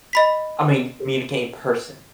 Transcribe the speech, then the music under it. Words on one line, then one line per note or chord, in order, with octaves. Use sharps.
I mean, communicate in person
D#5 B5 B6